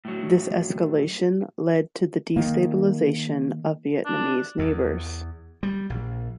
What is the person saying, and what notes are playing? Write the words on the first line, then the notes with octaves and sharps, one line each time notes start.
This escalation led to the destabilisation of Vietnamese neighbours.
A2 F#3
D#3 A#3
D4
E2
G3
A#1